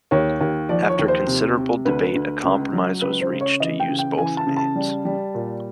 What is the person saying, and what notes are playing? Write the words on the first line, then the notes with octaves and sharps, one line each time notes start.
After considerable debate a compromise was reached to use both names.
D#2 C#5
D#2
F3 D5
C#5
D#2
C5
C3
C3
D2 B4
D2
C#2
F#3
C#2 B4
C5
C#3
C#5
E3 D#5
G5
C#3
G5
E3 G#5
A5
C#3
A5
G3
G3
A#2